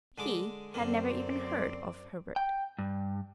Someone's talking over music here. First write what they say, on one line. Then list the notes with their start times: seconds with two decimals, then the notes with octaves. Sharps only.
He had never even heard of Herbert.
0.18 D3 G#3 D6
0.74 F#2 D3 A#3 C4 D5
2.36 G5
2.78 G2